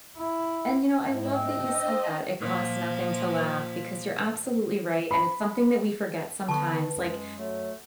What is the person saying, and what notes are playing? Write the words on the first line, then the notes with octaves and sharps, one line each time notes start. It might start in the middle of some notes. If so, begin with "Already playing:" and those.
And you know, I love that you said that "It costs nothing to laugh," because you're absolutely right, and it's something that we forget sometimes. Like,
E4
G#2 D#4 E4
D4 C5 D#5 G5 E6
A#2 F3
B5
D3 B3 B4 A5 C#6
F#2 G#3
F#3 A3